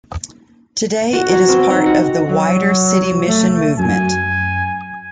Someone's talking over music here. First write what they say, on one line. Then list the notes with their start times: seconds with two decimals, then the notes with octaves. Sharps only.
Today it is part of the wider City Mission Movement.
1.13 F#4
1.29 F#3
1.48 C4
1.70 D#4
1.86 F#4
2.28 F#3
3.26 A3
3.79 F#2 G#5